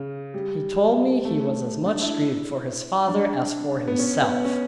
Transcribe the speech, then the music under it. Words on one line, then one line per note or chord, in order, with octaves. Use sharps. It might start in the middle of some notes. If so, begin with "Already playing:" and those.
He told me he was as much grieved for his father as for himself.
Already playing: C#3
G3
A3
D4
E4
D4
B3
C#4
B3
C#4